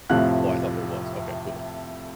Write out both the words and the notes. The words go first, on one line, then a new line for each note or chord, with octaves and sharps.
Oh, I thought there was. Okay. Cool,
F2 A2 C3 F3 F5 F#6